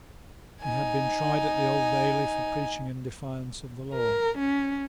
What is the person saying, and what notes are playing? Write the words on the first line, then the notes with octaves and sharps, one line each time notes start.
He had been tried at the Old Bailey for preaching in defiance of the law.
D#4 G#5
A#4
C#4